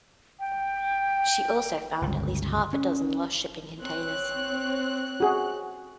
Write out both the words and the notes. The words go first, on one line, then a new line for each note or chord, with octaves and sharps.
She also found at least half a dozen lost shipping containers.
G5
G1 C#2
C#4
C4 C#5 F#6
F#4 G#4